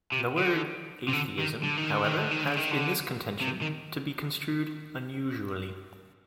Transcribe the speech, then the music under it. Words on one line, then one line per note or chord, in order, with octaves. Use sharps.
The word 'atheism', however, has in this contention to be construed unusually.
C3
D3
C3
D3
D#3
D3
D#3
D3
D#3
D3
D#3
D3
D#3
D3
C3
D#3